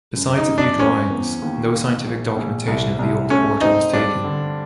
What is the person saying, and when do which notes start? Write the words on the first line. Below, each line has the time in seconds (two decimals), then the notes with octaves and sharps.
Besides a few drawings, no scientific documentation of the old quarter was taken.
0.16 F#2
0.37 D#4
0.47 F#2
0.58 D4
0.79 C4 C#4
1.10 E2
1.42 D#2
1.73 A#3
2.05 A#1
2.36 A#1
2.67 C2
2.99 C2
3.30 A3 C#4
3.61 C4 D#4
3.93 G2 D4
4.24 D3